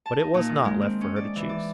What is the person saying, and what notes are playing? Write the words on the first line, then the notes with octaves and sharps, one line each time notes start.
But it was not left for her to choose.
A5
D#4
A#2
D#3
G#3
C4
C#4
D5
E3
D5